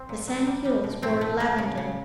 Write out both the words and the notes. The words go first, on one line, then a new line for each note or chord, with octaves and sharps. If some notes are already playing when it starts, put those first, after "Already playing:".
The sand hills were lavender.
Already playing: C4
A#2
F#3
G3
G3
B2
A2 C4
A3
A3
C#3
C#3